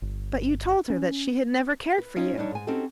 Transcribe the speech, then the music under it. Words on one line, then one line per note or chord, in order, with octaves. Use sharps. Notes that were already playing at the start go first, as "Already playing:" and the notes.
"But you told her that she had never cared for you."
G1
C#4
B4
C#4 D#4 F4 C#5
G3 D4 D#4 C#5
G#2 G#5
C4 C#4 D#4 F#4 G4 A4